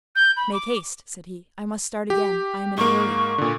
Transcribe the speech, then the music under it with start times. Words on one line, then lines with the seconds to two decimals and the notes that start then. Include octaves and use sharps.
"Make haste!" said he; "I must start again; I am in a hurry."
0.15 G6
0.36 B5
0.53 D6
2.10 G4
2.78 G#2 A#3 C#6
3.38 A#2 D3